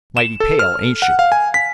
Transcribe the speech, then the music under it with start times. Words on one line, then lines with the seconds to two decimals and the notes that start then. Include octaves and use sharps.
"Mighty pale, ain't she?"
0.17 E7
0.40 A4
0.59 F6
1.02 F#5
1.19 F5
1.32 G#5
1.54 B6